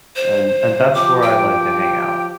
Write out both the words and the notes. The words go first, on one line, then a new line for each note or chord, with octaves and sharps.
And and that's where I like to hang out,
C5
F3 G4 D6
G5